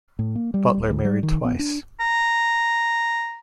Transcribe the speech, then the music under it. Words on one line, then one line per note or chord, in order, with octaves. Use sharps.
Butler married twice.
A2
A#3
G3
D1
D2
G3
D#3
B3
D4
A#5